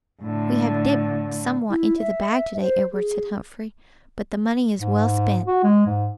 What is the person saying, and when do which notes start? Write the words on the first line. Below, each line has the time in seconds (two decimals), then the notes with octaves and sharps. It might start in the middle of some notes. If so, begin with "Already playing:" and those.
"We have dipped somewhat into the bag to-day, Edward," said Humphrey, "but the money is well spent."
0.22 A2 D3
1.70 E4
1.98 E5
2.61 C5
2.93 G#4
4.80 G#2
5.47 F#4
5.63 G#3
5.86 G#2